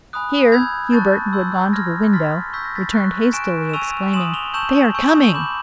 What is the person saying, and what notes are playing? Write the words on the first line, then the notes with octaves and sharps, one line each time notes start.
Here Hubert, who had gone to the window, returned hastily, exclaiming, "They are coming!"
G#5 B5 D#6 F#6
B5 E6 G6 G#6
A5 C#6 F#6 G6 A6
C6 E6 G6
C6 F6 G#6 A#6
C6 F6 A6 B6
C#6 E6 G6 B6
A#6
A6 B6
C#6 F#6
G#5 C#6 F#6 D7 E7
E7
G#5 C#6 E6 D#7 F7
G#5 C6 D#6 E7 F#7
F7 G7
A5 C#6 E6 G6 E7 F#7
G#5 C#6 E6 G6
B5 D6 G6 E7 F#7